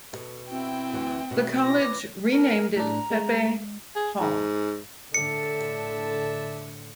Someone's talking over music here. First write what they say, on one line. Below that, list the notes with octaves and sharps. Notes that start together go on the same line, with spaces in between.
The college renamed it Pepe Hall.
B2 A4
C4 E4 F#4 G5
D2 E3
B2 C#5 E5
E4 B4 D6 A#6
A#4
A2 D4 A#5
G#3
G#4
G#2
A2 D3 A4 D5 E5 A5 C#7